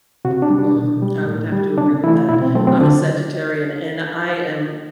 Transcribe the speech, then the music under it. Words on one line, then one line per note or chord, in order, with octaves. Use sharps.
Mhm, I would have to agree with that. I'm a Sagittarian, and I am,
C3 F#4
D4
G3
D4
B2
G3
A2
G3
C3 D4
E3 A3 E4
B2 E4
C4
F#3 A3 C4
C4
D3 D4